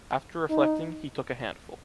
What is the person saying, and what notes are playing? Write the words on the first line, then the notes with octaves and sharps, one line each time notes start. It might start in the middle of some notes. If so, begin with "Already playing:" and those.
After reflecting, he took a handful.
D#4